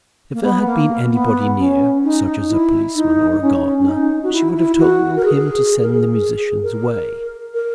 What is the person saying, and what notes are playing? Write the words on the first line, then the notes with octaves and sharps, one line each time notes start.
If there had been anybody near, such as a policeman or a gardener, she would have told him to send the musicians away.
A#3
B3
A#3
B3
C#4
D#4
E4
D#4
D#4
C#4
C#4
D#4
F#4
E4
E4
F#4
A#4
G#4
G#4
A#4
G#4
A#4
A#4